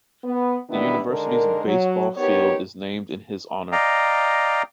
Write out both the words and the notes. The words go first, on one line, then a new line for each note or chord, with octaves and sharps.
The University's baseball field is named in his honor.
B3
D#3 E3 G3 B3 D4 E4
D3 D#3 G#3 A#4
F#3
B3 D#4 G4 A#4 C#5
D5 D#5 F5 G5 A#5